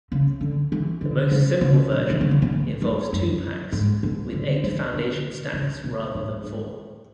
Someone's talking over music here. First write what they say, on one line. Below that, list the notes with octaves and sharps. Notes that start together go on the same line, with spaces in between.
The most simple version involves two packs, with eight foundation stacks rather than four.
C#3
D3
E3
D3
C#3
C#3
B2
E3
D3
C#3
B2
A2
F#2
F#2
G#2
B2
D3
E3
D3
C#3
B2
A2
G#2